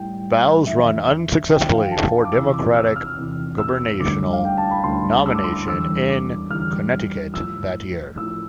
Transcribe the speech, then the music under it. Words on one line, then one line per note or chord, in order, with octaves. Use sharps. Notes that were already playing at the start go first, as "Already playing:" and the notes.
Bowles ran unsuccessfully for the Democratic gubernatorial nomination in Connecticut that year.
Already playing: A2 G3 G5
E2 D3 F3 E5
E2 D3 F3 G5
F5
G5
A5
D6
E2 C3 E3 E6
D6
E6
F6
E2 C3 E3
E6
D2 D3 G3 D6
F5
G5
A5
B5
D2 D3 G3 C6
E6
D6
C6
D6
E2 D3 G3 E6
D6
E2 D3 G3 F6
A2 F3 E6
A2 F3 E6